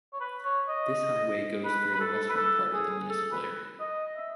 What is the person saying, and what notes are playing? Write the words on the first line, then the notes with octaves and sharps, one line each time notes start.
This highway goes through the western part of the municipal area.
C#5
B4
C#5
D#5
B4
B4
A4
B4
A4
G#4
A4
B4
D#5
E5